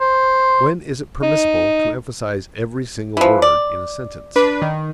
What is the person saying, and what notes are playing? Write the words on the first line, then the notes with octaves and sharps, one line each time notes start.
When is it permissible to emphasize every single word in a sentence?
C5
D#4
E3 F3
D5
D4 B4
D#3